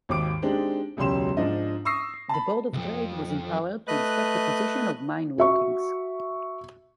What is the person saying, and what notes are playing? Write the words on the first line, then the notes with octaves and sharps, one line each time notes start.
The Board of Trade was empowered to inspect the position of mine workings.
G#1 D#2 D6 D7
G#3 C4 D4 D#4 G4
E1 C#2 F#3 G4 C6 E7
G#2 F3 D4 D#5
C#6 D#6 E6 A#6 C7
A5 B5
C2 F2
A3 B4 D#5 F#6
F#4 E5 C#6